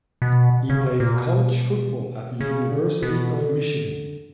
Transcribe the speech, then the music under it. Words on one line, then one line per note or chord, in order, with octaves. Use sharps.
He played college football at the University of Michigan.
B2
C#3
A#2
B2
C#3
D3
B2
D3